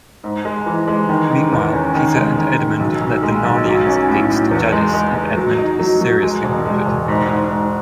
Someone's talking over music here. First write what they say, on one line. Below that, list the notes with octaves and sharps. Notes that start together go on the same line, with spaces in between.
Meanwhile, Peter and Edmund lead the Narnians against Jadis, and Edmund is seriously wounded.
G#2
G#3
E3
G#3
D#3
D#3
E2
C#4
D#3
G#3
D#3
D#3
B1
B1
G#3
B1
F#3
C#4
A2
A2
E2
G#3
G#3
G#3
F#3
D#4
F#3
F#3
G#3
E1
G#3
E1
G#2
G#2
G#2